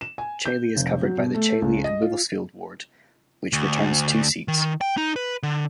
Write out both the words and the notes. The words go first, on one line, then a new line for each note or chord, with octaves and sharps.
Chailey is covered by the Chailey and Wivelsfield ward which returns two seats.
E7
G#5
G6
F1
F#3
B2
A3
C#2
D#5
F4
D2
D#3
G5
D#4
B4
D3